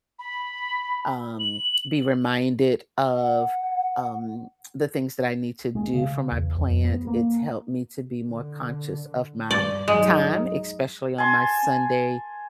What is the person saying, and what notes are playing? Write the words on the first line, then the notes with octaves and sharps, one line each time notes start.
um, be reminded of, um, the things that I need to do for my plant, it's helped me to be more conscious of my time, especially on my Sunday
B5
F#7
F#5
G#3
C#3
E2
F2
B3
A#3
D3
G2 D5
F#3 G#3 D#4
G#5 A5 C6